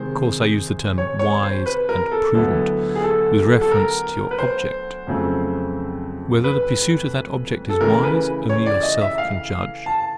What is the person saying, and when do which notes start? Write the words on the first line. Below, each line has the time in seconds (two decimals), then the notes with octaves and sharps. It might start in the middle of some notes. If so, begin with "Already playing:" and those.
Of course I use the terms "wise" and "prudent" with reference to your object. Whether the pursuit of that object is wise, only yourself can judge.
Already playing: C3 D#3 G#3 C5
0.98 C#5
1.19 C#5
1.43 C5
1.66 B4
1.89 A#4
2.12 A4
2.34 D2 D3 F#3 B3 E4 A4
2.95 G#4
3.03 A4
3.61 A4
3.71 A#4
4.31 B4
4.39 C5
5.07 F2 C#3 F#3 A3 C4
6.44 B4
7.69 A4
7.81 C#3 E3 A3 A#4
8.04 B4
8.50 C#5
8.66 D5
8.83 D#5
9.01 E5
9.18 F5
9.86 A5